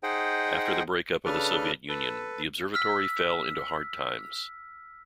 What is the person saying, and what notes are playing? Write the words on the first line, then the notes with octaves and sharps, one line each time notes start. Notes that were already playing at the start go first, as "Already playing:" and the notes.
After the breakup of the Soviet Union, the observatory fell into hard times.
D#4 G#4 C5 D#5 F#5 G5
C#3 D4 A4 B4 F6
A4 B4
E6 F6 B6